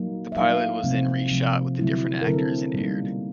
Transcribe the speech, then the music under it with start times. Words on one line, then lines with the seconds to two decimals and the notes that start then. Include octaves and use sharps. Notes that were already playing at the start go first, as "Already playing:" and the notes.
The pilot was then re-shot with the different actors and aired.
Already playing: F#3 A#3 D#4
0.32 E5
0.37 F#3 A#3 D#4 F5
0.84 C3 F3 A3 C4
1.31 C3 F3 A3 C4
1.79 D3 F#3 A3 C4 E4
2.22 A#4
2.26 D3 F#3 A3 C4 E4 A4
2.74 B2 G3 A#3 D#4